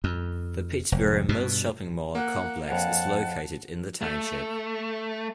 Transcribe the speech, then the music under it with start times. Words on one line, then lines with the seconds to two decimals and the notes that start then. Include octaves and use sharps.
The Pittsburgh Mills shopping mall complex is located in the township.
0.04 F2
0.92 F1
1.29 G2 B2
2.15 A#3 F#5
2.68 F2 C#5 F5 F#5 A5
4.01 A3